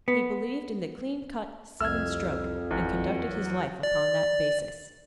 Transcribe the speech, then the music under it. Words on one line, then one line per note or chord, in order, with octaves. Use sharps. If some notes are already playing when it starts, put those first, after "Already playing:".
He believed in the clean-cut, sudden stroke, and conducted his life upon that basis.
B3
C2 F2 E6 F6 G#6
G#1 E2
F#3
D5